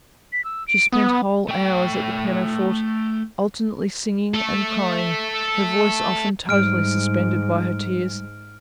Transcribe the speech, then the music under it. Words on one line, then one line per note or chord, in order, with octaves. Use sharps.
She spent whole hours at the pianoforte alternately singing and crying; her voice often totally suspended by her tears.
B6
E6
D7
B3 D#6
A3 G5
A4 E5
G#2 G3 F6 D7